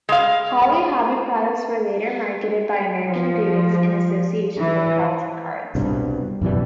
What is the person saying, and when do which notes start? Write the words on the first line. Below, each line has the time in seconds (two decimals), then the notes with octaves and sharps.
Holly Hobbie products were later marketed by American Greetings in association with Carlton Cards.
0.09 G#3 F5
3.05 F3
4.59 E3
5.75 C2 G2 B2
6.42 F#2 B2 E3 G3